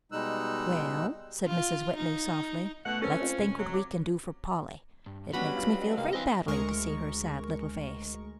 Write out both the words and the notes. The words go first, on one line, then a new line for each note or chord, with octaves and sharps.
"Well," said Mrs. Whitney, softly, "let's think what we can do for Polly; it makes me feel very badly to see her sad little face."
B2 G3 G#3 D#4 E6 F#6
F4
D#4
B2 A3 F#5
C4 C#4 A4 B4
C4 F4 C5
F1
F#3
D6
G2
F#3 G3 B3 C#4 D4 F#4 B5
F4
G#3
C2 G3 A#3 F5
E3 C4 D#5 F5
D2 G#3 A#4 C#6